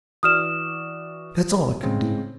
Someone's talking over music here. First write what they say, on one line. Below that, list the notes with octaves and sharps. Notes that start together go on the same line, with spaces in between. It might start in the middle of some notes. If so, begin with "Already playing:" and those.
That's all I can do.
E3 F#4 D5 D#6 F6 E7
C#3 G#3 C4